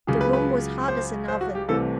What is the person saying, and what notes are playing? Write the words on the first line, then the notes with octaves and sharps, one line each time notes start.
The room was hot as an oven.
C#2 C#3 F#3
B4
B4
C5
C5
F#4
G4
C2 C3 E3 A3 A4